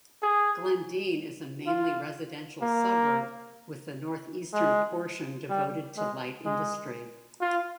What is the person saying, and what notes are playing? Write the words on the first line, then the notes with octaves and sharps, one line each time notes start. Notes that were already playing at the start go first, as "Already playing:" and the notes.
Glendene is a mainly residential suburb with the north-eastern portion devoted to light industry.
G#4
F4
A#3
G#3
G3
G#3
G#3
F4